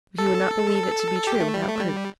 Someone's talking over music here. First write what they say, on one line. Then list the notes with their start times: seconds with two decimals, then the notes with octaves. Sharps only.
But he would not believe it to be true without proof.
0.18 A4
1.27 G4
1.40 A3
1.54 G3
1.68 A3
1.80 G3